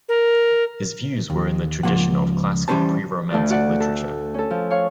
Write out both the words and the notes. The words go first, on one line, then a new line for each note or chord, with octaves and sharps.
His views were in the tradition of classical pre-romantic literature.
A#4
D#2
C#2 G#2 F3 A#3 F#5
E3 G3 C#4 B4 C5 A5
D2 A3 F4 D5
F#4 D5 F#5
A4
C#4 A4
F3
C#5 F5 C#6